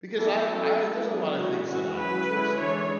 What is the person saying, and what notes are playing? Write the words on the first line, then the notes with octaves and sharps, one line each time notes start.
because I I there's a lotta things that I'm interested in,
E3 B3 E4 A4
F#3 C#4 E4
G#3 B3 E4
F#3 B3 D4 G#4
E3 G#3 C#4 E4 F#4
E3 G#3 C#4 E4 F#4
F#3 C#4 E4 B4
D3 G#3 C#4 E4
E3 G#3 D4 C#5